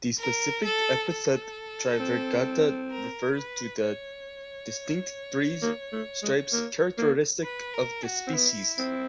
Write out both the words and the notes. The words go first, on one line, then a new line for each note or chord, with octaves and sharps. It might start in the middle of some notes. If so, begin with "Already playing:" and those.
The specific epithet "trivirgata" refers to the distinct three stripes characteristic of the species.
A#4
A4
A4
C4
A#4
B4
C#5
A#3
A3
G#3
A#3
A#3
B4
A#4
F#4
C4
B3 E4
C4